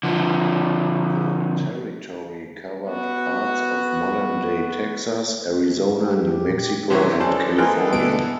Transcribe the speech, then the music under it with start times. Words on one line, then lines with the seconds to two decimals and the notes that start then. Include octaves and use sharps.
The territory covered parts of modern-day Texas, Arizona, New Mexico, and California.
0.03 D3 F3
2.88 B3 F#4
6.05 G4
6.49 A#2
6.90 E2 C3 E3 C5 C#5
7.20 E3 F#3 G#3 C#4 A4 C5 D5 A5
7.58 A#3 C4 A#4 G5 G#5 F#6
7.93 D2 B2 B3 D4 D7